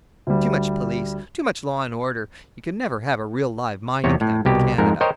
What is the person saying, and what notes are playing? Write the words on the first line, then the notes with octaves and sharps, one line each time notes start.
"Too much police--too much law and order; you can never have a real live mining-camp in Canada."
D2 G3
E2 C3 C#5
A2
C2 B2 G4
F2 G#2 A#4
A#4 C5 C#5 D#5 G5